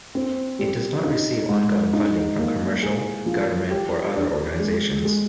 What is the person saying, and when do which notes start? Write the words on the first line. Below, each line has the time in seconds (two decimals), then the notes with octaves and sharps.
It does not receive ongoing funding from commercial, government or other organisations.
0.15 C4
0.59 G3
1.04 D#4
1.48 G#2
1.93 D#4
2.38 A#3
2.82 G#4
3.26 F3
3.71 G4
4.15 D4
4.60 G#3
5.05 G#3